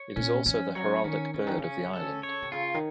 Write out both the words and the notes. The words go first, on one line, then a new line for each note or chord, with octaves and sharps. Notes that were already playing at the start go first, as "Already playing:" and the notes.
It is also the heraldic bird of the island.
Already playing: C#5
A#2 C#4
F3 C#4
F#3 C#5
D#3 C#4
C#3 C#4
D#3
C#3
C#4
A4
C#5
C3
C#3 F4
D#3